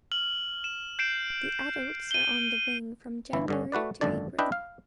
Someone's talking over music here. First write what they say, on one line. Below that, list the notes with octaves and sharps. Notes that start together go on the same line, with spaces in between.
The adults are on the wing from January to April.
F6 F#7
E7
G6 C7 D7 E7
D#7 G7
G1 E3 E4
G2 D3 C#4
A3 F#4 B4 D5
G#1 F#2 D3 D4 D5
D4 E4 B4 D#5 E5 G5
F5